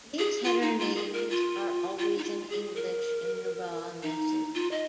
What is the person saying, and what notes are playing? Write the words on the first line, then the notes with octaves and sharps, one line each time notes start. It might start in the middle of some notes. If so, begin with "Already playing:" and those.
These header names are always in English in the raw message.
G#4
F4
D#4
F4
G#4
A#4
F4
F4
D#4
F4
G#4
A#4
D#4
F4
D#5